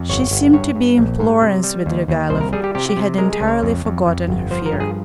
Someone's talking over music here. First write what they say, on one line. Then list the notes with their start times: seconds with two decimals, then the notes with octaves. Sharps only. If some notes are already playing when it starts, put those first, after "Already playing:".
She seemed to be imploring Svidrigailov; she had entirely forgotten her fear.
Already playing: F2
0.09 G1 C#5
0.31 G1
0.53 G2 C#5
0.75 G2
0.98 A#1
1.19 G#2
1.42 C3
1.64 G3
1.86 D#2
2.08 D#2
2.30 C2 C5
2.41 A#4
2.53 G3 G#4
2.64 G4
2.75 C3 G4
2.89 G4
2.97 C3
3.18 G#3 A#4
3.33 G#4
3.40 C#2
3.48 C#5
3.63 F2
3.85 F2
4.06 F2
4.28 G1
4.51 F3 C5
4.66 A#4
4.72 G2
4.80 G#4